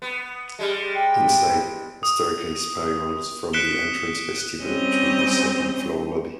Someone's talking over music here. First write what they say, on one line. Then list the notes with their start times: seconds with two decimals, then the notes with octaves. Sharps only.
Inside, a staircase spirals from the entrance vestibule to the second-floor lobby.
0.02 B3
0.59 G3 G#3
0.95 G5
2.03 D#6
3.53 F#6 B6 C#7 D7 E7 G7
4.64 G3 C4 C#4 D#5